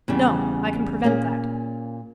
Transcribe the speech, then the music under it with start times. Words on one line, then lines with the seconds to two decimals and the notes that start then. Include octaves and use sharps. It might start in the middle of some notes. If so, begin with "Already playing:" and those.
"No, I can prevent that."
0.08 E2 C#3 G3
1.04 A#2 A#3 C#4 G#4